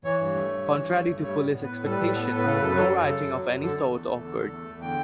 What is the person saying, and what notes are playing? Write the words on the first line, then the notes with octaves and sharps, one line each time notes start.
Contrary to police expectations, no rioting of any sort occurred.
E3 C#5
G2
A3
G2
E3
G2
A3
G2
G3 C#5
A2
B3
A2 B4
G3 A4
B4
A2 A4
B4
B3 A4
B4
A2 A4
B4
C#3 A4
B4
F#2 A4
B4
F#3 A4
F#2
C#3 A4
F#2
F#3
F#2
D3 A4
E2
A3
E2
D3
E2
A3
E2
D3 G5